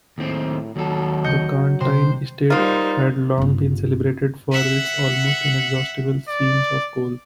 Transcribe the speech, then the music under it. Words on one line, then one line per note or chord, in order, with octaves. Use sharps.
The Carntyne estate had long been celebrated for its almost inexhaustible seams of coal.
D#2 A2 C4
D#2 F#3 A4
D#5 G6 C#7
C3 C5
G3 A#3 D#4 F4 A#4 C5
G1 F4
E5 F#5
D5